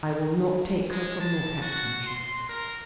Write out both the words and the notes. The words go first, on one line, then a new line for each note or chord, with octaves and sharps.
I will not take her from Northamptonshire.
G#3
A5
F#4
C6
A#4